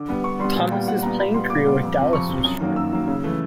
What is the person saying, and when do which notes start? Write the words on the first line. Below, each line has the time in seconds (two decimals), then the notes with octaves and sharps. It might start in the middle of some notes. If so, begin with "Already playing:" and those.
Thomas's playing career with Dallas was short.
Already playing: D3 D6
0.08 G3 B3
0.24 D3 C#6
0.40 G3 B3 C6
0.56 A#2 G#5
0.72 G3 B3 G5
0.87 A#2 F#5
1.03 G3 B3 A#5
1.18 A#2 B5
1.34 G3 B3 C6
1.50 A#2 D6
1.66 G3 B3
1.83 F2
1.98 C3 F3
2.13 F2 C#6
2.29 C3 F3
2.45 F#2 D#6
2.61 D#3 F#3 A#3
2.76 F#2 E6
2.92 D#3 F#3 A#3
3.08 C#3
3.24 E3 A3